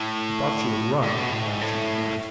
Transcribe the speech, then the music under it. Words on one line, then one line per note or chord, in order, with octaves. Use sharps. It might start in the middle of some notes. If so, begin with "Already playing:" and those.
I thought she would run, but she did not.
Already playing: A2
A2
B2
A2
G#2
A2